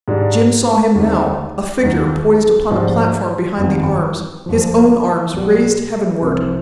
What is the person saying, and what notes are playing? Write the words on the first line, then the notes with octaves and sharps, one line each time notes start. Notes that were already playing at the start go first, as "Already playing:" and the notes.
Jim saw him now, a figure poised upon a platform behind the arms, his own arms raised heavenward.
G#2 G3 D4
D#2 D3 G#3 C4 D#4
D#2 D#3 B3 D#4
G#2 F3 B3 D4 G4
G1 F2 D#3 B3
G1 G2 F3
B1 B2 G3
C2 C3 F3